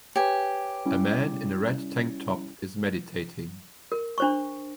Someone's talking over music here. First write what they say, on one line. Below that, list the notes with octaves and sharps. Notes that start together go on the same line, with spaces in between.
A man in a red tank top is meditating.
G4 B4 C#5 G#5
G3 C#4 E4
A#4
D4 C5 C#6